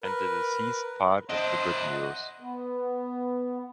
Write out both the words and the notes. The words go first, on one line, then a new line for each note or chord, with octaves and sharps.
And the deceased part is the good news.
A#4 B4
D4 E4 C5 D#5 F#5
B3